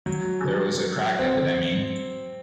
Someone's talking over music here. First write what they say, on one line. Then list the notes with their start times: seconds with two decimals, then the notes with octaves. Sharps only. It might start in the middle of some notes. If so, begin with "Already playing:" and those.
There was a crack epidemy.
0.06 F#3
1.19 C4